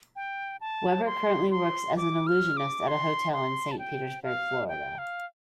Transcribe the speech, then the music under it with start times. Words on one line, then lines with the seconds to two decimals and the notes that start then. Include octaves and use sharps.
Weber currently works as an illusionist at a hotel in Saint Petersburg, Florida.
0.16 G5
0.61 A5
1.06 C6
1.51 C6
1.97 D6
2.27 F6
2.57 D6
2.88 C6
3.33 C6
3.72 A5
3.79 G5
4.23 F5
4.69 G5
4.98 F5